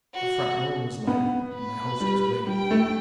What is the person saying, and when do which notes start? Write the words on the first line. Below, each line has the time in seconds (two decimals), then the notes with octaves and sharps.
A front room was lighted; my host was waiting.
0.14 F#4
1.07 B3
1.55 B4
2.00 G3
2.47 G3 G5
2.71 A3